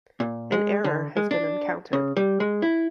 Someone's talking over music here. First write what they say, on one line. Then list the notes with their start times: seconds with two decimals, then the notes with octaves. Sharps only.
An error has been encountered.
0.20 A#2
0.52 G#3
0.84 D3
1.17 G#3
1.31 D4
1.93 C#3
2.17 G3
2.40 G#3
2.62 E4